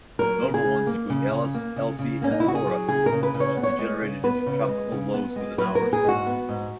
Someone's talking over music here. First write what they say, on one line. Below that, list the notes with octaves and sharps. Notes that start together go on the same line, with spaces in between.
Notable ones include Alice, Elsie and Cora which degenerated into tropical lows within hours.
F#3 A#4
C#3
G#4
C#3
A#3
C#3
C#3
A#3
C#3
C#3
A#3 C#4
D#4
E4
C#3 F#4
G#4
F#3
C#3 G#4
A#4
C#3
B4
C#3
C#5
B3
C#5
G#3
C#3
B3 B4
C#3
G#3
C#3
B3
G#3
F#3 B4
A#4
B3
G#4
G#2 F#4
B3
G#2